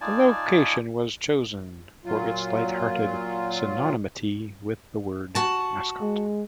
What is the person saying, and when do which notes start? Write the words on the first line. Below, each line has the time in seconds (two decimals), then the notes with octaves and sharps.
The location was chosen for its lighthearted synonymity with the word mascot.
0.01 D#4 F4 D5 G#5 A5
2.05 A#2 F#3 F4
5.35 F#4 A5
6.01 G#3